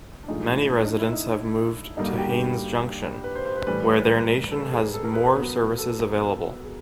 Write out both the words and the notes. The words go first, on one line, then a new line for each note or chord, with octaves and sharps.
Many residents have moved to Haines Junction, where their nation has more services available.
D4
A2 F3 G#3 D#4
D4
D4
D#4
E4
D#4
G2 D3 G3 A#3 D#4
F#4
G4
G4
B4
C5
C5
B4
A2 E3 G3 B4
A#4
A4
G#4
A4
A#4
B4
A#4
B2 F#3 B3
A4
G#4